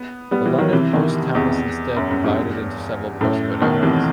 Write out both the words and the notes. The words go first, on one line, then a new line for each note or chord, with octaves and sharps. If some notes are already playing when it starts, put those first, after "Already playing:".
The London post town is instead divided into several postcode areas.
Already playing: B3
G3 B3
E3 G3
D#3 F#3
C3 E3
B2 D#3
E2
F#2
F#2
E2 G2
F#2 A2
B2 D#3
C3 E3